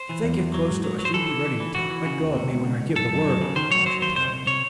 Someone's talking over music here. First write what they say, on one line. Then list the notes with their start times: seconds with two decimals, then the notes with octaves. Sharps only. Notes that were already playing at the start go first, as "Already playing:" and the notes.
"If they get close to us, you be ready to let go of me when I give the word," cautioned Tad.
Already playing: C5
0.09 E3
0.23 E2
0.39 E2
0.54 F#3
0.69 G#2
0.84 F#3
0.99 F#3
1.05 C5
1.14 E3 A4
1.30 E3
1.45 E3
1.60 E3
1.75 E3 F#4
1.90 E3
2.06 C#3
2.20 D#2
2.35 C3
2.51 C#2
2.65 C#2
2.80 C#2
2.96 F#2 A4
3.11 F#2
3.26 F#3
3.42 C#3
3.56 D#3 C5
3.71 F#3 C#5
3.86 F#3 C5
4.02 D#2 C5
4.16 C2 C5
4.32 C2
4.47 C3 C#5